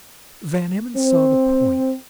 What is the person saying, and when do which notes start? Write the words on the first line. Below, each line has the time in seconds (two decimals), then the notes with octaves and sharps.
Van Emmon saw the point.
0.96 C4